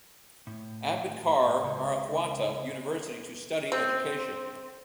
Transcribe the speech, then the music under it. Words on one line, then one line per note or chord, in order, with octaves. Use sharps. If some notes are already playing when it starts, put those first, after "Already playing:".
Ambedkar Marathwada university to study education.
A2
C#2
C4